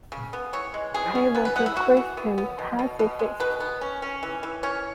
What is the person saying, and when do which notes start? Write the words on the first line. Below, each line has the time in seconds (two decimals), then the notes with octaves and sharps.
He was a Christian pacifist.
0.12 C#3
0.33 B3
0.53 E3 C#5
0.74 G#3
0.94 E3 G#4
1.15 C#4
1.35 B3 B4
1.45 B4
1.56 B3 F#5
1.66 E4
1.76 E3 F#4
1.97 E3
2.17 B3
2.38 B3
2.59 B2
2.79 B2
2.99 B2
3.19 G#3
3.40 B2 B4
3.60 B3
3.81 C#4
4.02 C#4
4.23 E3
4.43 E3
4.63 C#4 C#5